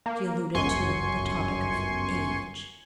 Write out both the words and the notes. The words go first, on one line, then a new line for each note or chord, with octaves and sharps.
She alluded to the topic of age.
A#3
G1 C#2 F#2 G#5 C6 C#6